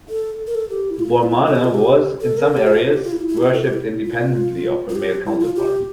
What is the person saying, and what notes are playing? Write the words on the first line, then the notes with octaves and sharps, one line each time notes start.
Bormana was, in some areas, worshipped independently of her male counterpart.
A4
A#4
A4
G4
E4
F4
E4
F4
A4
G4
F4
G4
A4
A#4
A4
G4
F4
G4
F4
E4
E4
G4
F4
A4
G4
E4
F4
F4
G4
E4
F4
G4